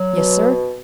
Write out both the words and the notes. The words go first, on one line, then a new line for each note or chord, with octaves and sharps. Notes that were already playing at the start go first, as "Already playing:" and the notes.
"Yes, sir."
Already playing: F#3
B2